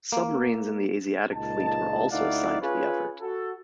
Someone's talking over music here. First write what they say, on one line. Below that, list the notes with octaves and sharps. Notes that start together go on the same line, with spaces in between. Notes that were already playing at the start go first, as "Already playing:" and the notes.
Submarines of the Asiatic Fleet were also assigned to the effort.
A#3
C#2 A#2 D#4 A5
D2 D#4 E4 D5 F5 F#5
C#4 F4 G#4 B4 C#5
F#4 A4